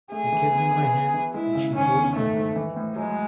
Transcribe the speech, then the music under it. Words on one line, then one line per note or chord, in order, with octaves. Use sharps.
I give him my hand, which he holds in his.
A3 G#4
E3
B3
E3
B3
E3
G#3 E4
C#3
D#3 C#4
E2
D#3 A3
G#2
E3
A2
F#3 G#3